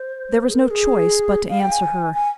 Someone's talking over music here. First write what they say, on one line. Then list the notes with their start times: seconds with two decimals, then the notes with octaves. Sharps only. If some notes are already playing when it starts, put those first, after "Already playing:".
There was no choice but to answer her.
Already playing: C5
0.48 G#4
0.54 A#4
0.70 G#4
1.49 F5
1.60 G5
1.72 G#5
2.14 G#5